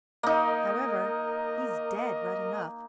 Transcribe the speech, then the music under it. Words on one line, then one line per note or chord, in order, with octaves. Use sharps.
However, he's dead right enough.
A#3 D#4 A#4 D#5